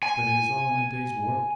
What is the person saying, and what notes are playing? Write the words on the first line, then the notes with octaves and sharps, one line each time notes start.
But it is all in the day's work.
G#5